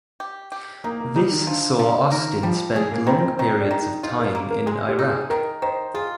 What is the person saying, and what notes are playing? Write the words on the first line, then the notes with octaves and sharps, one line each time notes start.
This saw Austin spend long periods of time in Iraq.
G4
G4
A#3 D#4
A#3
G3 D#4
D#3
D3 F3
F3
D#3 A#4
F3 G3
G#3 G#4
A#3
D#3 C4
C4
D#3 C4
D4
D#3
D#4
D#4 F4
A#4
A#3
A#4
G#3 G#4
G4
D#4
G#4
D#3 A#4
D#3 C5
F4 G#4